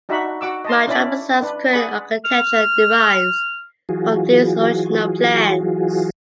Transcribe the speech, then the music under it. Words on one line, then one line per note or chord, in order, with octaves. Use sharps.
Much of the site's current architecture derives from these original plans.
D4 D#4 F#4 E5 F#5 B5
F#4 F#5 D6 E6
D#5 A5 C6
C#4 D4 E4 D5 B5
D4 B4
G#4 D5 F#5 B5
F6
E3 F#3 F4 F#4 G#4